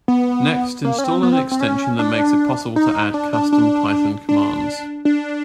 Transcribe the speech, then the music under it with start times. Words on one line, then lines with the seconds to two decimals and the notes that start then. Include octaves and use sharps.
Next, install an extension that makes it possible to add custom Python commands.
0.08 B3
0.85 A#3
0.99 C#4
1.04 C4
1.23 B3
1.32 C4
1.51 C4
1.61 C#4
1.99 D4
2.76 D#4
3.14 D4
3.33 D4
3.52 D4
4.29 D4
5.05 D4